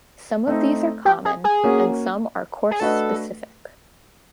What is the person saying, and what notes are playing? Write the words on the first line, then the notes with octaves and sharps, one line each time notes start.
Some of these are common, and some are course-specific.
A3 C4 D#4
G4
G#4
G#4
A#3 C#4 F#4
G#4
A3 D4 F#4 A4 B4 D#5